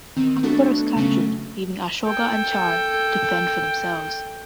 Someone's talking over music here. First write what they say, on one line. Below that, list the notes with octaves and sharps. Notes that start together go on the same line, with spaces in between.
Ackbar is captured, leaving Ahsoka and Char to fend for themselves.
D#3 C4
A3 B3 D4 F#4 A4
C#3 F#3 A3 C#4
A4 G5